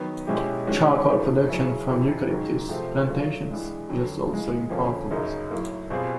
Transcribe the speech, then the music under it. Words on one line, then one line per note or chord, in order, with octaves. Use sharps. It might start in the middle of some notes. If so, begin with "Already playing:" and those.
Charcoal production from eucalyptus plantations is also important.
Already playing: D#3 F#3 B3
B2 G#3 C#4 E4 G4
D#3 G#3 C#4 F#4
G#2 F3 A3
C#3 F#3 A#3 C#4 E4
F2 C3 E3
G#2 D#3 F#3 A#3 C#4
C3 F3 A3 C4
F#3 A3 D4 F4
G2 E3 G#3
F2 D3 F#3
C#3 E3 G#3
F2 D3 F3 A#3 C#4
F#2 C#3 F#3 A#3 D#4
A2 F#3 A#3
B2 G3 C4 F4 G#4